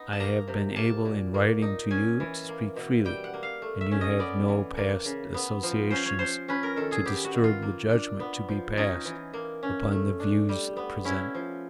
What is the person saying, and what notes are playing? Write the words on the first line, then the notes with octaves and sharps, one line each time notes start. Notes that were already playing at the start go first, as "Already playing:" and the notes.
I have been able in writing to you to speak freely, and you have no past associations to disturb the judgment to be passed upon the views presented.
Already playing: B3 D#4
A5
A#3 A#5
C3
A#3 A5
A#2
A#3
D#4
C#4 G#5
E3
A#3
B2
G3 G5
F#5
A#3
F5
A3
E5
C#4
D#5
B3 D5
E3
A#3
C#3
B3
F3
C#4 C5
C#5
F3 C5
C#4 B4
A#4
D#3 A4
G#4
B3 G4
F#4
D#3
F4
A#3
D4
B3
F3
C#4 D#4
E3
A#3
C#4
A3
D4
G3
B3
C#4 E4
F3